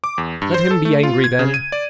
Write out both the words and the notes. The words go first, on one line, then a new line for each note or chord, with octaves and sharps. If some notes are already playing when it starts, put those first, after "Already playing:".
Let him be angry then.
D6
E2
G2
C5
A4
A3
F4
G#6
C#3
D#7
D5